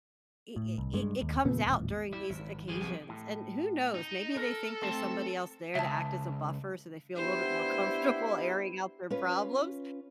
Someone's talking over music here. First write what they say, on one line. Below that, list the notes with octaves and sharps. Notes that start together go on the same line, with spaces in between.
i i i it comes out during these occasions, and who knows, maybe they think there's somebody else there to act as a buffer so they feel a little bit more comfortable airing out their problems,
A2
C2
G2 G#3
D#2
E2 A#2 C#3 B3
D#1 A1
G3 E4
G#1 E2
F3 G3 G#4
C2 B2
A2
D#4
A4 A#4
A3 C4 A5
C#2 E5 A5
B3 D4 E4 G4 C5
C#4 F4 B4